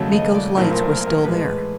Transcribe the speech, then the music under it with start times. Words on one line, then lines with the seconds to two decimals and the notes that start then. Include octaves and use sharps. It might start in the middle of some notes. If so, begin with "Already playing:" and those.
Miko's lights were still there.
Already playing: D#2 C#3 F#3 A3 C#5
0.12 D#5
0.35 D5
0.57 B1 A#2 F3 A3 C4 A#4
0.73 A#4
0.90 A#4
1.07 A#4
1.24 A2 E3 G#3 B4